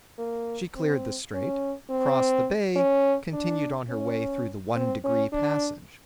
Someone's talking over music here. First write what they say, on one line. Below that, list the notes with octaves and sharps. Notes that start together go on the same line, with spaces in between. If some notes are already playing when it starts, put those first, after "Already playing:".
She cleared the Strait, crossed the bay, continued on her way through the 'One-degree' passage.
A#3
C4
C#4
C4
C#4
D4
C#4
C4
C#4
D4